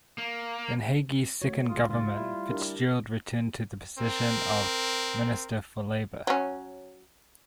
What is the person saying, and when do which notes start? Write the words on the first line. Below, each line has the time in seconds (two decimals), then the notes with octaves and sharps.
In Haughey's second government Fitzgerald returned to the position of Minister for Labour.
0.18 A#3
1.42 A3 F#4 C#5
1.69 C#2 F4 D#6
1.89 C#2 G#2 F4 A6
2.16 G3 E4
2.50 D4 G4 A#4
3.99 C4 A#4
6.27 F#3 C#4